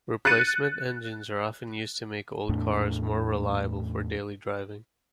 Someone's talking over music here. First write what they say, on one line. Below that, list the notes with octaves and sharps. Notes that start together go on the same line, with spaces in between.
Replacement engines are often used to make old cars more reliable for daily driving.
F#6 A6 C#7 D#7
E2 A2 A3 D4